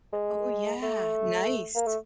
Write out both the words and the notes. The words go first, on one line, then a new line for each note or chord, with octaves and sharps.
oh yeah, nice.
G#3
A3
A#3
A3